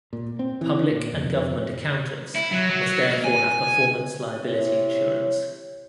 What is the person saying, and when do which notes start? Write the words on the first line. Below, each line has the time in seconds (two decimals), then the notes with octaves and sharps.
Public and government accountants must therefore have performance liability insurance.
0.13 A#2
0.39 C4
0.61 E3
0.91 A#2
1.13 F2
2.35 E4
2.52 F#3
2.70 F#3
3.10 A#3
3.25 G#5
4.45 C3 E4 C#5